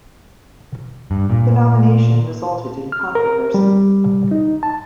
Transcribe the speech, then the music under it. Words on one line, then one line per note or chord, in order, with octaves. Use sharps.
The nomination resulted in controversy.
G2
A#2
F6
A#4
G3
D#4
A5